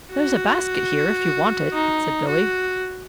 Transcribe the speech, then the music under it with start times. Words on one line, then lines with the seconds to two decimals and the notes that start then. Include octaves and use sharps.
"There's a basket here, if you want it," said Billy.
0.11 F#4
1.73 D#4
2.28 F#4